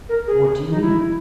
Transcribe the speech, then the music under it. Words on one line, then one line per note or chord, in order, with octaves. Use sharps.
"What do you mean?"
A#4
G#4
D#4
E4